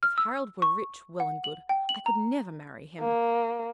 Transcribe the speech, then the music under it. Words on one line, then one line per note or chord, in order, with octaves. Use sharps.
If Harold were rich--well and good, I could never marry him.
F6
E6
C#6
F#5
F#7
G5
F#7
A#5
A#3